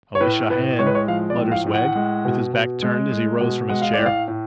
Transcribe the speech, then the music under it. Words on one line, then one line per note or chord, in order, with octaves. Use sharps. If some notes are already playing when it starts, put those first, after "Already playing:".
'I wish I had,' mutters Wegg, with his back turned as he rose from his chair.
C#5
A2 B4
A2 B4
G#3 C#5
B4
C#5
F3 F5
D5
A2
F5
A2
F#5
G#3
B2
B2
G#3
G#3
B2
G#3 F#5
F5
A2 D5
F5
A2